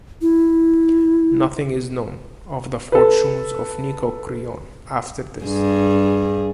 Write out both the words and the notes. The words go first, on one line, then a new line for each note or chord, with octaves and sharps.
Nothing is known of the fortunes of Nicocreon after this.
E4
A4 B4
G2 G#4